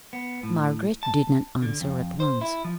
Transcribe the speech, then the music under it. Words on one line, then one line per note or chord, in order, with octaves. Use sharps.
Margaret did not answer at once.
B3
A2
A5
D3
F2
C5
E4
F3